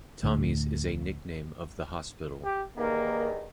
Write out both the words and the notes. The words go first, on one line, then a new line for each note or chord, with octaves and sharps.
Tommy's is a nickname of the hospital.
D2 A2
G4
E2 G2 D#3 A#3